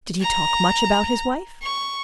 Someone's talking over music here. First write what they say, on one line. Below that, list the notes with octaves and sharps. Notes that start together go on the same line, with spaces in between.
"Did he talk much about his wife?"
A#5
C#6